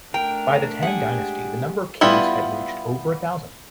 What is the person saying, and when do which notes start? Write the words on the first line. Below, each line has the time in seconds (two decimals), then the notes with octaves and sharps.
By the Tang Dynasty, the number of caves had reached over a thousand.
0.14 A3 D4 A#4 G5
0.83 G#3 G4 F#5 G#5
2.01 G3 B3 E4 F4